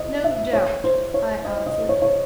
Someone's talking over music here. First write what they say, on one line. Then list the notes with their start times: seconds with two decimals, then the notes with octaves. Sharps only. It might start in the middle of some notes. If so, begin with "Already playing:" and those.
'No doubt,' I answered.
Already playing: D#5
0.24 E5
0.53 C#5
0.84 C5
1.14 C#5
1.45 D#5
1.67 D#5
1.89 C#5
2.02 C#5